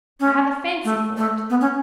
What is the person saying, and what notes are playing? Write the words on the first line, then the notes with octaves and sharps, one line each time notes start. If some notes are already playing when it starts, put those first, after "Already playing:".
I have a fancy for it.
C#4
A3
A3
B3
C#4